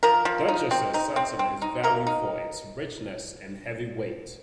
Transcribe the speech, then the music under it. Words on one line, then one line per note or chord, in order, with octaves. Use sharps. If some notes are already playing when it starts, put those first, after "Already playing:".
Duchesse satin is valued for its richness and heavy weight.
F3 A#4
F3
D#4
C4
D#4
C4
C4
D#4
A#3 A#4
D#4